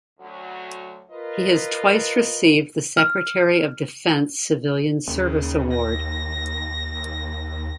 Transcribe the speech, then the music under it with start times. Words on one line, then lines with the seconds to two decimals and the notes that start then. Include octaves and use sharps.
He has twice received the Secretary of Defense Civilian Service Award.
0.20 D2 F#3
1.10 F4 A#4 B4 D#5
2.97 F6
5.08 D#2 C#3
5.73 A#6